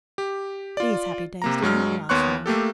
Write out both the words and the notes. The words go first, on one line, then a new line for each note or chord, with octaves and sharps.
These happy days did not last long.
G4
F4 D5
C3 A#3 A#5
G2 F#3 G#3 F6
D#2 B3 C#5 C6 C#6 F#6
A3 A#3 G4 A4